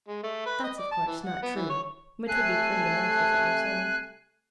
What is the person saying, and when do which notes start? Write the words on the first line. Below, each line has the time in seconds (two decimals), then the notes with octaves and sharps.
That's, of course, not true: but 'twould be pretty enough if it were so.
0.08 G#3
0.23 A3
0.46 B4
0.64 D#5
0.79 D5
0.91 A5
1.07 E3
1.25 F#5
1.43 B3
1.55 E3
1.70 C#5
2.29 C3 A3 A4 G#5 F#6 G#6 C7